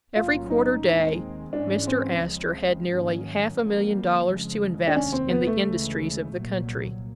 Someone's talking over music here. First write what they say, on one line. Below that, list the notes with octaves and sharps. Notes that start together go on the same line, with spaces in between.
Every quarter day Mr. Astor had nearly half a million dollars to invest in the industries of the country.
B1 A2 F#3 A#3 C#4 F4
D#4
D#2 D#3 G#3 C4
G#2 E3 G#3 C#4 D4
C4
C#2 C#3 F3 G#3 C4
G#2 D#3 F#3 A#3 C#4
F2 D3 G3 A#3
F2 C#3 F3 G#3
D4
F1 D#2 D#3 C#4
C4
B3
A3
D2 C#3 E3 G#3
C2 A#2 F#3 A#3